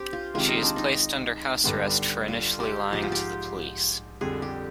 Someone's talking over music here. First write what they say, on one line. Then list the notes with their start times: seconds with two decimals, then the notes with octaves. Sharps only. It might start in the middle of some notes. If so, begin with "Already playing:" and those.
She is placed under house arrest for initially lying to the police.
Already playing: C4 D4 G4
0.13 F4
0.34 C3 D#3 G#3 F4
0.48 D#4
0.62 D4
0.76 D#4
1.64 G2 D3 G3 B3
2.28 F4
2.60 G4
2.92 G#2 F3 G#3 G4
3.02 F4
3.12 G4
4.21 F2 D3 G3 G#4
4.42 G4